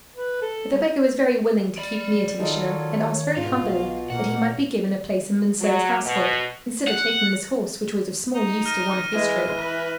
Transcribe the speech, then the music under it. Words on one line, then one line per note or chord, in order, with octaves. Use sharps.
But the beggar was very willing to keep near to the Sheriff, and asked very humbly that he might be given a place in Monceux's household, instead of taking this horse, which was of small use to one of his trade.
B4
A4
G3
D5 B5
D#3 F#3 D#4 F4 A4
C#5
G#2 B2 F4 F5
B1
A#2 A#3 F#5
F#3
B2
F#5
D#4
F6 A#6 D#7
E3 G#3 D#7
B4